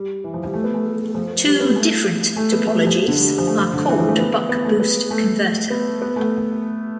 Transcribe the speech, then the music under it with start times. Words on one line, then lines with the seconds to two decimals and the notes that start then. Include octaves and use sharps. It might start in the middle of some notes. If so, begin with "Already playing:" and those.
Two different topologies are called "buck-boost converter".
Already playing: G3
0.24 E3
0.34 F3
0.44 G3
0.54 A3
0.64 B3
0.74 A3
1.15 F3
1.45 G3
1.60 B3
1.76 A3
2.36 A3
2.52 B3
2.67 A3
2.77 G3
2.87 F3
3.07 D3
3.18 G3
3.28 G3
3.38 F3
3.47 A3
3.58 F3
3.73 D3
3.89 E3
3.98 F3
4.08 A3
4.19 B3
4.49 B3
4.65 A3
4.80 B3
5.11 A3
5.70 B3
6.02 B3
6.16 A3